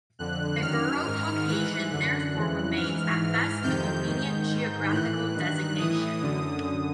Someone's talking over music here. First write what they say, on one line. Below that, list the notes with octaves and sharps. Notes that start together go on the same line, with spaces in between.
"Ibero-Caucasian" therefore remains at best a convenient geographical designation.
F2 D3 F#6
F#2 D#3 F6
G#2 D#3
G#2 E3 F#6
F#2 D3 F#6
F2 C#3 E3
G#2 E3 F6
G#2 E3
F2 C3 D#3 G6
G#2 D#3
G#2 D#3
A2 E3 F#6
G2 D#3
A2 E3 D#6
F#2 D3